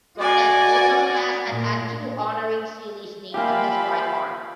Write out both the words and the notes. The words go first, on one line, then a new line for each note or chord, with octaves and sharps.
Garnett also has a tattoo honoring Sealy's name on his right arm.
F#4 D5 F#5 G#5
A#2
A#3 F4 G4 E5 F5 G5 G#5 B5